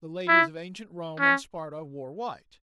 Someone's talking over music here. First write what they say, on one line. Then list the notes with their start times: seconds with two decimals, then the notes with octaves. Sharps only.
The ladies of ancient Rome and Sparta wore white.
0.28 E4
1.20 C#4